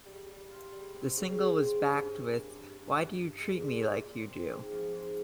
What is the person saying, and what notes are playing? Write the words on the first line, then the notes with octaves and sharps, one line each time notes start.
The single was backed with Why Do You Treat Me Like You Do?
G3
G3
F4
G3
C4
C#3
C#3
C4
G2
C#4
G2
G2
G2
G2
G2
G#3
A#2
A#2
A#2
C4
G#2
F3
G#2